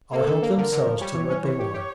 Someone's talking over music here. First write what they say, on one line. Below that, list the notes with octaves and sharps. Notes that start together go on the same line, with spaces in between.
All help themselves to what they want.
A#3 A4
D3
A#3
D3 A#4
D3
F3
G3 C#5
E3
C#4
E3 C#5
G4
G4